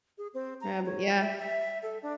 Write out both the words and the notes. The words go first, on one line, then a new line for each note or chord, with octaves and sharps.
Habit, yeah.
G#4
C4
A#5
C#5
E5
E5
A4
D4